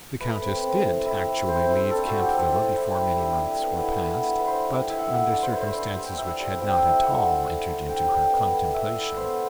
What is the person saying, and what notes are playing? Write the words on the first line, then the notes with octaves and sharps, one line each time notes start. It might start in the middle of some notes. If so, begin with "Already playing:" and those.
The Countess did actually leave Camp Villa before many months were past, but under circumstances which had not at all entered into her contemplation.
A3 B4
C4
C4
E4
E4
A3
C4 C5
E4
D4 A4
F#4
A3
G4
C4 A4
E4
E4
A3
D4 G4
G3
B3
E4
B3 B4
D4
B4
D4 C5
G3
E4 E5
F#5
A3 E5
D4 D5
C5
A3 B4
C5
D4
G3
D4 E5
G3
C4 G5
E4
A3 F#5
D4
E4
A3
D4 G5
G3
B3
E4
D5
A3 E5
E4
B3 C5